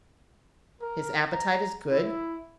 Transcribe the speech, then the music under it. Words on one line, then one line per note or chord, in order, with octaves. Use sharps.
"His appetite is good?"
A#4
A#5
E4